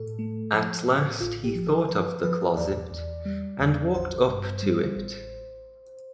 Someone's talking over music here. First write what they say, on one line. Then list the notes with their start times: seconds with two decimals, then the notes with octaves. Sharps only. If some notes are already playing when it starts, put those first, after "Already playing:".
At last he thought of the closet, and walked up to it.
Already playing: A2 A4
0.19 A3
0.53 F3
0.87 A2
1.21 A1 F4
1.44 G4
1.55 F3
1.67 A4
1.89 F3 B4
2.23 F3 B4
2.57 E2 D5
2.91 E2
3.25 G3
3.60 E2
3.94 A1 C5
4.28 G2
4.63 G3
4.96 A1